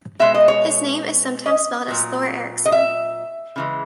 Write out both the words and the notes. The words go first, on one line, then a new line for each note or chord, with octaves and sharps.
His name is sometimes spelled as Thor Eriksson.
B2 G#3 E5
D#5
C#5
D#5
A#2 F#3
D#5
E5
C#3 E3 G#3